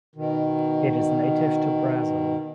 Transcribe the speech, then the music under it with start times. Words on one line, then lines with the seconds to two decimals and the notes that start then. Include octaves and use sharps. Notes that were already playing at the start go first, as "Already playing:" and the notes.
It is native to Brazil.
0.16 B2 D#3